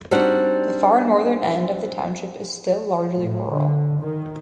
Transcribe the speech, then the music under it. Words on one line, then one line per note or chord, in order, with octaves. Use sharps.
The far northern end of the township is still largely rural.
G3 C4 D4 D#4 F#4 F#5
A2
D3
D#3